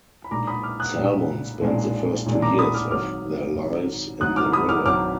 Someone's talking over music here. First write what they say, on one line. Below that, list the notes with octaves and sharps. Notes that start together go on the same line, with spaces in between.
Salmon spend the first two years of their lives in the river.
B5
B1 A#2 G#3 D4 A#5 D6
B5 D#6
D6 F6
D#6 F#6
B1 A#2 G#3 D4
B1 A#2 G#3 D4
B1 A#2 G#3 D4
A#5 D6
B5 D#6
D6 F6
G#1 G#2 F#3 D6 F6
G#1 G#2 F#3
G#1 G#2 F#3 D#6 F#6
D6 F6
B5 D#6
D6 F6
G#1 G#2 F#3 D6 F6